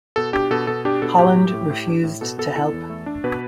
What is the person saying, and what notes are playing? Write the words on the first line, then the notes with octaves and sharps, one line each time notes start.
Holland refused to help.
B2 A4
D4 G4
B2 A4
B2 A4
D4 G4
B2 A4
A2 G4
A3
A2
A2
D4
A2
B2 A4
B3 A4
E4 A4
E2
A3
D4
B2 B4